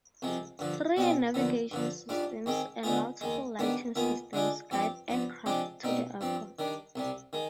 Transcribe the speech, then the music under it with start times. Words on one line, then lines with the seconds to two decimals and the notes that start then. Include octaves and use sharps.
Three navigation systems and multiple lighting systems guide aircraft to the Airport.
0.22 C2 C3 F3 G#3
0.59 G2 D3 F3
0.97 B2 G3 C4 F4 G#4
1.34 D#2 D3 F3 B3
1.71 G2 D3 F3
2.09 G#2 G3 D4 F4
2.46 G#2 D#3 G#3 C4
2.83 D3 G#3 B3 F4 G#4
3.21 D#2 D#3 G#3
3.59 G#2 D#3 G3 B3 D4
3.96 D#2 D#3 B3 F4 G#4
4.33 D3 G#3 D4 F4 G#4
4.71 G2 F3 C4 G4
5.09 G2 F3 B3
5.46 C3 F3 G#3 D4 G4
5.84 B2 G3 C4 D#4
6.21 G2 F3 C4
6.59 D#3 G3 D4
6.96 C2 C3 G3
7.33 D#3 G#3